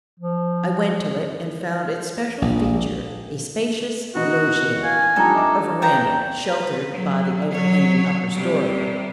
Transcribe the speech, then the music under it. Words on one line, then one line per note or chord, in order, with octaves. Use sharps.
I went to it, and found its special feature a spacious loggia or verandah, sheltered by the overhanging upper story.
F3
A#1
E3 B3 D#4 F#4
F5 G#5
F3 G3 D4 D#4 A4 A#5
D#5 E5 D6
B4 C#5 G5 A5 A#5
B4
F#3
F#3 C#5
C3 G3